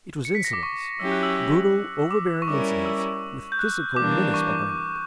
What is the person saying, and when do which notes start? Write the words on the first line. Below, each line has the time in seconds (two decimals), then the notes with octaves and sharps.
It was insolence--brutal, overbearing insolence, with physical menace behind it.
0.25 C#7
0.35 B6
0.45 A#6
0.53 D6
0.63 C#6
1.00 F#3 C#4 E4 G4 E6
1.12 F#6
1.23 E6
1.37 C#6
2.11 D6
2.42 C#6
2.48 G3 C#4 E4 A#4 D6
2.86 E6
3.52 G6
3.59 F#6
3.96 E3 G3 A#3 D4 D6
4.34 C#6